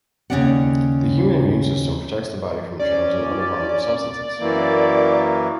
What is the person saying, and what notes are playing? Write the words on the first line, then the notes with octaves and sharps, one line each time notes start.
The human immune system protects the body from germs and other harmful substances.
D#2 C#3 C4 C#4 D5 F#5
C#4 D5
F#2 E3 A#3